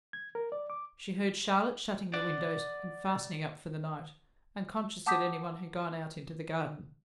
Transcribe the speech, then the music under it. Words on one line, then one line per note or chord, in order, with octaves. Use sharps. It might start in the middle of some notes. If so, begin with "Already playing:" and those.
She heard Charlotte shutting the windows, and fastening up for the night, unconscious that any one had gone out into the garden.
G#6
A#4
D5
D6
D5 F#5
F#5 A5 D6 D#6 G6 B6